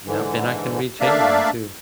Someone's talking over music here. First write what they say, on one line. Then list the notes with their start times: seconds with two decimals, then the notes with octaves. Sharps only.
Yep, and I can rechange ‘em too.
0.07 G#2 D3 E3
1.00 A3 A#3 D4 D5 E5 F5